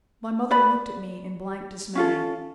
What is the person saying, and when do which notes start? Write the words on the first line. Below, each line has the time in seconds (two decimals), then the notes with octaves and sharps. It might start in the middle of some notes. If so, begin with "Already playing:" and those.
My mother looked at me in blank dismay.
0.51 B4 D5 B5
1.95 C#4 F4 A4